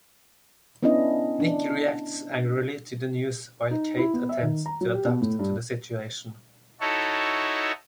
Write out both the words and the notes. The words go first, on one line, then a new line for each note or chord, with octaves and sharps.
Nick reacts angrily to the news, while Kate attempts to adapt to the situation.
B3 C#4 D4 E4 D#5
D4
D#4
E4
B3
E5
D#3
A#5
F#3
G4
B2
A2
G2
D#4 E4 F#4 A4 C#5